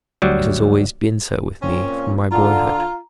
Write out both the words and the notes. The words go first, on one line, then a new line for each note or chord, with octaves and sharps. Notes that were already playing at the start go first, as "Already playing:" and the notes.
It has always been so with me from my boyhood.
D2 F#3 G3
A#2 C4 C#4
D3 F4 A#5